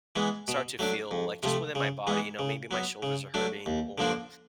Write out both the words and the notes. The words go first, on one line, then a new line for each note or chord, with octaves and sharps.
start to feel, like, just within my body; you know, maybe my shoulders are hurting or
E3 G#3 B3
B2
F#3 A3 D4
F2
C3 F3 A3
C#3
E3 G#3 B3
C#3
F#3 B3
C#3
F#3 A3 D4
D#2
D3 F3 A#3 D4